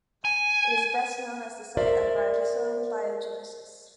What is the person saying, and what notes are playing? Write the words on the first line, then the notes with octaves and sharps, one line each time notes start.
It is best known as the site of ribosome biogenesis.
G#5
F#4 A#4 C5 D5 E5